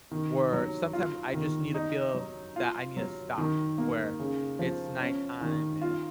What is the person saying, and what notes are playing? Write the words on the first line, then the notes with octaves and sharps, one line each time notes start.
where sometimes I just need to feel that I need a stop, where it's nighttime and
D#3
F#3
F4
D#3
D#4
F#3
F4
F#3
D#3
A#3
C#3
F3
C#4
D#3
F4